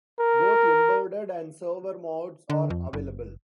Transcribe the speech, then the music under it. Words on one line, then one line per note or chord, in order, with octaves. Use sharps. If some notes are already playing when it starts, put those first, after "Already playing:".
Both embedded and server modes are available.
A#4
D3
F2
F#1